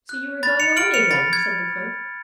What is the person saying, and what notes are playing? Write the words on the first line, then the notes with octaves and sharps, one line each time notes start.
"So you are going away again!" said the clerk.
F#6
B5 A6
C#7 F7
F6 D7 F#7
C#7 F7
B5 A6
G#6